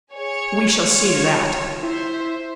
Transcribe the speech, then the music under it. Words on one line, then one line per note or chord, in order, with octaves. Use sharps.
"We shall see to that."
G#4 C#5
F4 C#5
E4 C5 E5